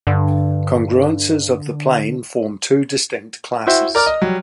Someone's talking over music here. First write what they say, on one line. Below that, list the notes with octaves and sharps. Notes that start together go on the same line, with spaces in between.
Congruences of the plane form two distinct classes.
G2 D3
E4 F#4 C5 E5 G5
A#4 D5 A#5 F6
D#5
F#3 G3